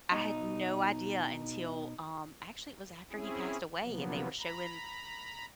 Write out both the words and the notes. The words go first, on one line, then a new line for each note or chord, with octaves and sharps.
I had no idea until, um, actually it was after he passed away and they were showing,
B2 D#4
C4 C#4 E4 G#4
C3 F3 F#3 A#3 B3
A#5 B5